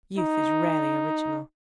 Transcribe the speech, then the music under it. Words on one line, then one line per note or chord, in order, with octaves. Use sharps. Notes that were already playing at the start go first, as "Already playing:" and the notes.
Youth is rarely original.
D#4